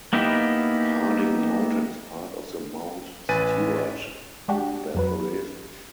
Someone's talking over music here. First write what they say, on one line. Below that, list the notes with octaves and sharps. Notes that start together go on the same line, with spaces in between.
Harding Mountain is part of the Mount Stuart batholith.
A#3 B3 D#4 E4 G4
A1 B4 G#5 A6 D#7
G#3 D4 F#4 G4
F2 F#3 B4